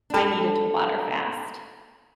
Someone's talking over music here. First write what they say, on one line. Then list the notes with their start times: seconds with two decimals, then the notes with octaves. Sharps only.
I needed to water fast,
0.10 D4 A4